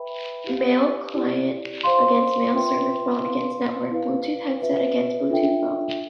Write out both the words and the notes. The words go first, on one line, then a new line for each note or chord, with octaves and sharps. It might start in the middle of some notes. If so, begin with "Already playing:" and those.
Mail-Client against Mail-server, phone against network, Bluetooth headset against Bluetooth phone.
Already playing: B4 E5 G5 B5
E4 G4 B4 F5
E4 G4 D5
C5 F5 C6
F4 B4 E5 G5 C6
E4 B4 F5 C6
E4 B4 F5
F4 B4 E5
D4 F4 A4 E5 G5